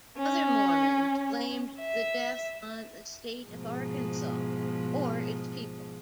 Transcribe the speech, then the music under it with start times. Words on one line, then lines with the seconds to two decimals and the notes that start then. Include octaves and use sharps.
Other Mormons blamed the death on the state of Arkansas, or its people.
0.18 C#4
1.78 E5
3.47 G#2 B2 F3